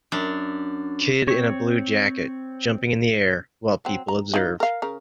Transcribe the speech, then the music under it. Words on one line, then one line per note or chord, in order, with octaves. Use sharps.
Kid in a blue jacket jumping in the air while people observe.
F#2 D4
C4 C#5
F#3 C4
A#5
D#4 F4
A#4 F5
C#3 A#4